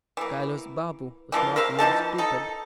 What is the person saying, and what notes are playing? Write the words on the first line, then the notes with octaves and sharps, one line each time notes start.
Kailas Babu was not really stupid.
E3 A#3
E3 F3 A#3 F4
A#4 C5 E5 F5
E3 F3 D#4 A5
D#4 A4